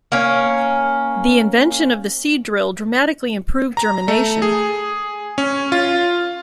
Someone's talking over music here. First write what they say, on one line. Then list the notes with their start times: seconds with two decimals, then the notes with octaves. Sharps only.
The invention of the seed drill dramatically improved germination.
0.12 A#3 C#4
3.77 A#5
4.08 A3
4.42 G#4
5.38 C#4
5.72 F4